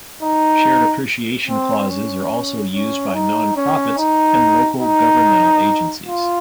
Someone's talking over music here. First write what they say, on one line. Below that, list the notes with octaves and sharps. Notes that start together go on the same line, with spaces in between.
Shared Appreciation clauses are also used by non-profits and local governmental agencies.
D#4
C4
C#4
C#4
D#4
C#4
D#4
D#4
F4